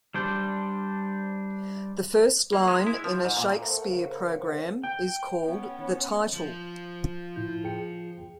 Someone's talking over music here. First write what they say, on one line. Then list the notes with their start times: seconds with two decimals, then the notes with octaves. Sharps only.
The first line in a Shakespeare program is called the 'title'.
0.14 G3 D4 C5
2.53 A#3
2.68 G#3
2.87 E4
3.04 F3
3.25 G#2
3.37 A#2
3.61 A3 A#4 C5 F#5
3.89 C#3
4.84 G5
5.44 B3 C#4
6.33 F3
7.36 A2 E4 G6
7.64 G#4 G5 C#7